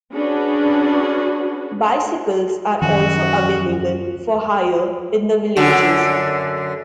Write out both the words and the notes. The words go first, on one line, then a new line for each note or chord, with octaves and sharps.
Bicycles are also available for hire in the villages.
C#4 D4 F#4 G#4 B4
F#2 D#3 F3 F#4
F#2 D3